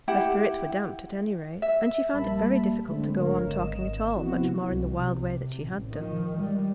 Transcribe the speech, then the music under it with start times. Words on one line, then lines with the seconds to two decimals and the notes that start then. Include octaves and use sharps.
Her spirits were damped, at any rate, and she found it very difficult to go on talking at all, much more in the wild way that she had done.
0.08 E4 G4 F#5 G5
1.62 E5
2.13 A#1 G3 A#3 E5 A5 B5
2.88 D3 G#3 A3 C4
3.18 G#1 D3 A#4 C#5 F5
3.46 G#1 D#5 E7
4.16 C3 F3 B3 C4 E4 F#4
4.68 C2
4.97 C3
5.62 A1
5.93 D#3 F3
6.36 G3 G#3